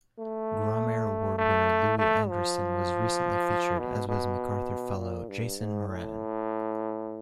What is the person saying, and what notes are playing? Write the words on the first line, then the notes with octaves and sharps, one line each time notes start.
Grawemeyer Award winner Louis Andriessen was recently featured as was MacArthur Fellow Jason Moran.
A3
A3
A3
F3
B2
B2
A#2
G2
G#2
A2